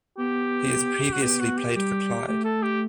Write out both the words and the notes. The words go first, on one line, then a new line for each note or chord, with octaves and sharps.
He has previously played for Clyde.
B3 G4
C#4 F#4
B3 G4
F#4
G4
G3 G4
A3 G4
A4
G4